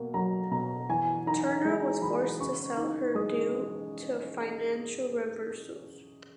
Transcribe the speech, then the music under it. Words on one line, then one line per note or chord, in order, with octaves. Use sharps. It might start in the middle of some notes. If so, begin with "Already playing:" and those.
Turner was forced to sell her due to financial reversals.
Already playing: B2 A#3
F#3 A#5
B2 A#5
E3 G#5
D#4 A#5
G#3
E3 B5
C#3 C#6
D#4
G#3 D#6